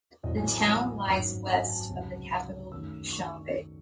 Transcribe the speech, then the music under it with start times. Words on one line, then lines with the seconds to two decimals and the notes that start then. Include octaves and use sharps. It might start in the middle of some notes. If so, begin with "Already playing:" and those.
The town lies west of the capital Dushanbe.
0.23 A1 A2 F#3 A3 C4 D#5
0.37 G#5
0.51 G#5
0.65 F#5
1.07 G#1 F#2 D#3 F#3
1.47 G#5
1.69 A5
1.89 C#2 C3 F#3
2.72 F#2 D#3 A3 E6
3.13 C#6